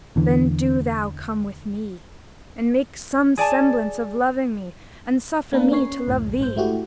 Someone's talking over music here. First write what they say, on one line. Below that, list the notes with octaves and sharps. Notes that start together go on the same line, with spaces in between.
Then do thou come with me, and make some semblance of loving me, and suffer me to love thee.
E2 D3 E3
G#4 D5 G#5 A5
A#3 C4 D4 A#4 B4
C#4 C#5 C7
C#2 F#2 A2
A#1
G#2 C5 G6
A3 E4 F#4 G4